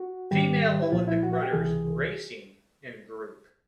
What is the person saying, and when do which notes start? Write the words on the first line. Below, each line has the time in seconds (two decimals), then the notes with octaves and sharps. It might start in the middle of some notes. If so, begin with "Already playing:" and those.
Female Olympic runners racing in group.
Already playing: F#4
0.31 G#2 D#3 G3 G4
0.82 E4
0.92 C2 A#2 F3 F4
1.08 E4
1.23 F#4
1.33 F#4
1.42 G4
1.53 C#2 C3 E3 G#4